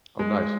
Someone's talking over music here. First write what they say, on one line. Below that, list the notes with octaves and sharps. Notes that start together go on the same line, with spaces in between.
Oh, nice.
G#3